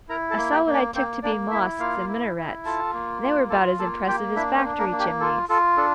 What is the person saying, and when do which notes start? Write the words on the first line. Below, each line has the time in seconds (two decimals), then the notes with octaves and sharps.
I saw what I took to be mosques and minarets, and they were about as impressive as factory chimneys.
0.09 E4 A#4 A#5
0.30 A4 A5
0.37 A#3
0.52 G4 G5
0.66 A#3
0.73 D4 D5
0.95 A#3 C4 C5
1.23 A#3 D4 D5
1.51 E4 E5
1.79 A#3 F4 F5
2.08 E4
2.36 E4
2.65 F4 A4 A5
2.94 A#3
3.22 F4
3.50 F4 A4 A5
3.79 A#3 A4 A5
4.07 A#3 G4 G5
4.35 D4 E4 E5
4.57 C4 C5
4.65 D4
4.78 A#3 A#4
4.92 A#3
4.99 G4
5.20 F4 A4
5.49 F4 A4
5.77 D4 A4